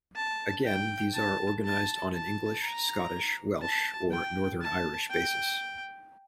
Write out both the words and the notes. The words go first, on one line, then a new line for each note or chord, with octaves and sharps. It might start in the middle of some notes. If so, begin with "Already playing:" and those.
Again, these are organised on an English, Scottish, Welsh or Northern Irish basis.
A5
G5
A5
A5
A5
A#5
A5
G5
A5
G5